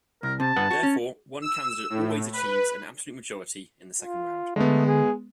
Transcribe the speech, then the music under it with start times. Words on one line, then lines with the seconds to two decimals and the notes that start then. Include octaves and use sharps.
Therefore, one candidate always achieves an absolute majority in the second round.
0.23 C2 A#4
0.40 C3 A5
0.56 G2 B4 F#5
0.71 F#4
0.83 C#4
1.42 E6
1.90 A2
2.33 B4
4.02 F4
4.56 D3 G#3 A3 B3
4.87 G#4